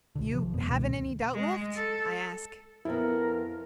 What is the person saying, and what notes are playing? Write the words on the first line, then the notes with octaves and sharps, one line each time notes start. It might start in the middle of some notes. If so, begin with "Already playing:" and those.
"You haven't any doubt left?" I ask.
A#1 D3
C3 F3
E1 F#2 B3
C#2 B2 D#3 G#3
G#3
A4
F2 B3 E4 A#4